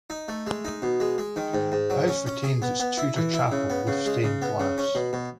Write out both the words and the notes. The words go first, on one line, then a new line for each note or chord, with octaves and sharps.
The house retains its Tudor chapel, with stained glass.
D#4
A3
G#3
D#4
B2
G#3
G#3
D#3
G#2
G#2
F#3
C#4
C#4
G#4
B3
B3
E4
E3
E4
C#3
B3
C#3
G#3
C#3
B3
C#3
C#4
B2
B2